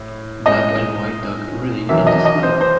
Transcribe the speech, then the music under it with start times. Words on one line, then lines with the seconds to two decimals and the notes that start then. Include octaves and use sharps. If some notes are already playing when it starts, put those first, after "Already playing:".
Black and white dog running in the snow.
Already playing: A2
0.46 A2 G#3 C#4 D#5
1.89 E2 D#3 F#3 C#4 E5
2.07 D#5
2.25 D#5
2.43 C5
2.61 C5